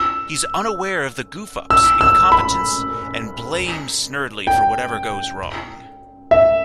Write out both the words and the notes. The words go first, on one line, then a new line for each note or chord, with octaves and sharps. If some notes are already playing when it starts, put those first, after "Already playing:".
He's unaware of the Goof-Ups' incompetence and blames Snerdley for whatever goes wrong.
Already playing: E6
E6
E6
B5
G5
E5